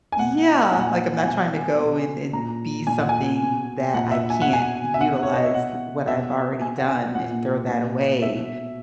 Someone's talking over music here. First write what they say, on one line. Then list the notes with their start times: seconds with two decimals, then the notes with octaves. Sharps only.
Yeah, like, I'm not tryna go and and be something that I can't utilized what I've already done and throw that away.
0.12 G#5
0.19 B2 F#5
0.72 A#2 G#5
0.80 F#5
0.87 G#5
1.19 F#5
1.26 B2 G#5
1.80 B2
2.33 A#2 A#5
2.87 A#2 G#5
2.98 F#5
3.09 G#5
3.40 B2
3.94 A#2 F#5
4.11 E5
4.30 G#5
4.42 F#5
4.47 B2
4.53 G#5
4.94 E5
5.01 B2 F#5
5.23 C#5
5.34 D#5
5.44 E5
5.54 B2 F#5
6.08 B2 E5
6.61 B2 G#5
6.78 F#5
6.89 G#5
7.15 A#2 F#5
7.69 A#2
8.22 B2 E5